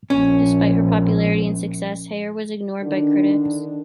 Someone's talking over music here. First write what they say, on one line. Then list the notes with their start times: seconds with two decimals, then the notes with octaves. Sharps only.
Despite her popularity and success, Heyer was ignored by critics.
0.10 A#1 C#4
2.83 D3 D#3 D4